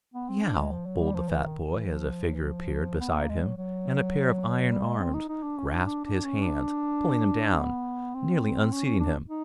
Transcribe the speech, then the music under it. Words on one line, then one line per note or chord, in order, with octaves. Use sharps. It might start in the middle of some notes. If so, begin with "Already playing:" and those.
"Yeow!" bowled the fat boy as a figure appeared beside him and a pair of iron arms grasped his hands pulling him down, nearly unseating him.
B3
C4
D4
G#3
F3
F#3
G3
F3
E3
D#3
E3
F3
E3
F3
B3
A#3
G#3
F#3
F#3
G3
G#3
C4
D#4
D#4
D4
C#4
D4
D4
D4
C#4
D4
B3
C4
C#4
C#4
D4
D#4